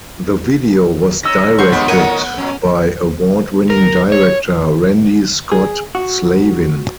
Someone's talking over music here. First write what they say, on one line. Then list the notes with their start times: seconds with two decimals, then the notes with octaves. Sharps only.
The video was directed by award-winning director Randy Scott Slavin.
1.23 G#2 C#4 E6 A#6
1.58 G3 G#3 A4 C5 F#5 C#6
1.72 A#2 D3 F3 G#3 B3 G4
1.88 A2 D#3 F#3 A#4 C#5 F#5 D#7
2.38 A#2 F#3 C#4
3.70 A#4
4.12 C#5
5.52 G#4
5.95 F#4